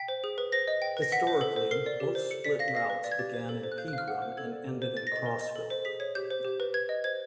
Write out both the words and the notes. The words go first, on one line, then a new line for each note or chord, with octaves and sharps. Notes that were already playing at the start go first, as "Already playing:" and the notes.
Historically, both split routes began in Pegram and ended in Crossville.
Already playing: G5 B6
C5
G#4
B4
C5 A#6
D#5
G5
B4
A#6
F#5 B6
C5
A4
C5
A#4 C7
D5
G4
C5
A4 C#7
D5 B6
F5 A#6
B6
F5 A#6
B4
D5
G#6
G4 A6
C5
A4
C5
F#6
F5 G6
F#6
F5 F6
F#5
C5
A4 G#6
D5
G4
C5
C5 A6
A#6
D#5 A6
A#4
D#5
A4
C5
G#4 B6
C#5
G4 G6
C5
G4
B4
B4 G#6
D#5
C5 G#6